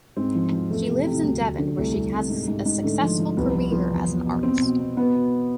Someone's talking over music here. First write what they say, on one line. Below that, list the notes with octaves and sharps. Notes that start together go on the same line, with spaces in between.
She lives in Devon where she has a successful career as an artist.
G#2 C4
F3
F3
E2 A3
C3
C3
D2
D2
D3
C2 A3
C2
C3
G#2
G#2
G#2
D3 A3
F3
F3
C2 B3
F3
F3
E2
E2
B2
B2 C4
B2
B2
B2 B3
B2